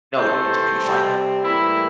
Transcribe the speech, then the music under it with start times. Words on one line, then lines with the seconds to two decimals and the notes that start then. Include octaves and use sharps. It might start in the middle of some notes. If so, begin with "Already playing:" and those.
No, if you can define that Yeah.
0.18 C3 E3 A3 C4 A4 C5
0.81 C3 G3 C4
1.43 A2 E3 G3 A#3 E4